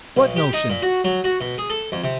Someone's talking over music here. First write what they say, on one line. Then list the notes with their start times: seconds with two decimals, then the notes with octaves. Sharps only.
"What notion?"
0.17 B1
0.36 G4
0.54 D#4
0.70 A#2
0.82 F#4
1.04 F#3
1.24 F#4
1.41 B2
1.58 G#4
1.70 A4
1.92 F2
2.04 C3